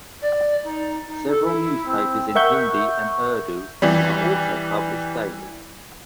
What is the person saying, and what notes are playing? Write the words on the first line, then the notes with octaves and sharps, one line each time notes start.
Several newspapers in Hindi and Urdu are also published daily.
D5
D#4
D#4
A4
E4
C4
A#4 E5 F#5 C#6 G6
E3 G3